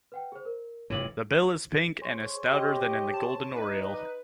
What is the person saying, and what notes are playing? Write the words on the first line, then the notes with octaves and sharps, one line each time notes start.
The bill is pink and is stouter than in the golden oriole.
B4 F#5 G5
G#4 C5
A#4
F1 G2 E3 C#5 D6 F#7
G#4 C5 C#5
G4 D#5
A5
D#4 B4 D5